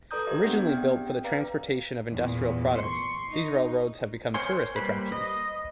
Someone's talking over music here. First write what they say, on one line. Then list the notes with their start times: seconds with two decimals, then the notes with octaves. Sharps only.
Originally built for the transportation of industrial products, these railroads have become tourist attractions.
0.11 A4 B4 D5 A#5 D#6 G6
0.27 G4 D5 E5
0.44 B3 D4 G4 G#4 D5 F#5
0.66 C4 G5
1.24 B4 D5 F5 A#5
2.12 E2 A#2
2.78 C6 C#6
3.31 D#4
4.34 A#4 C5 C#5 G#5 C6
4.76 G3 A#3 B4 C5 B5
5.12 D#5